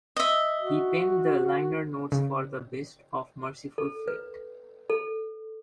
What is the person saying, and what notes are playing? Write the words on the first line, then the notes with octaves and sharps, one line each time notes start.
He penned the liner notes for the Best of Mercyful Fate.
D#5 E5
F#4
C#3
A4
B4
A4